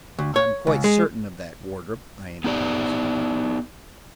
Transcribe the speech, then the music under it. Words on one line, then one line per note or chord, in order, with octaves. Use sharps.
"I am quite certain of that, Wardrop," I interposed.
D2
C#5
C#2
G#3
B3 D#4 G4 D5